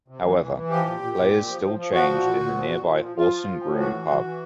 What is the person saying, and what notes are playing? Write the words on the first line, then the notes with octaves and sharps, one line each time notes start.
However, players still changed in the nearby Horse and Groom pub.
C3
E3
E3
E3
F3 G4
A#2
A#2
A#2
A#2
F3
F3
F3
F3 F#4
A#2
A#2
A#2
F3
A#2
A#2
F3
F3 F4
F3
F3
A2
E3 F#4
E3
E3
E3